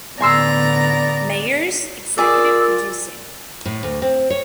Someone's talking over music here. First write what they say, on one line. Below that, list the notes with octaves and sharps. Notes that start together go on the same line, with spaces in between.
Meyers executive producing.
A2 D3 B3 D5 G#5 A#5 C6 E6
F4 G#4 A#4 D5 E6
A2
D2
C4
C#5